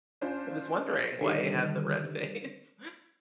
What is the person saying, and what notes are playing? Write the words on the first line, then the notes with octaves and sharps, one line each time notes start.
I was wondering why he had the red face.
C#4 D4 F4 C5
D3 D#3 G3